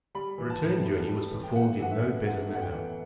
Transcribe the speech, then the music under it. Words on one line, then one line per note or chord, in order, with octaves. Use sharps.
The return journey was performed in no better manner.
G3 B5
E3
A5
A2
A2
G3
E3
G5
A3 F#5
E3 F#5
E5
F#2
F#2 F#5
A3 F#5
G5
E3